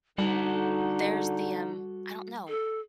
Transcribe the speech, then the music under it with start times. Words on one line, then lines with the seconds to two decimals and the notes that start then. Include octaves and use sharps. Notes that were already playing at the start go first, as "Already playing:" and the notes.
there's the, um, I don't know.
0.18 D3 G3 D#4 F#4 A4
2.48 A4